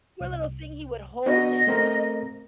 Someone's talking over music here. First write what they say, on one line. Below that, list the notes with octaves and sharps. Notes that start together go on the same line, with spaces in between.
Poor little thing, he would hold it.
C2
B3 D4 F#4 D#5
A3 C4 A#4